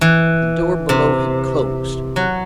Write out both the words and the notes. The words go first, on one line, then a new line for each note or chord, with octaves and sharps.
The door below had closed.
E3
C3
F#3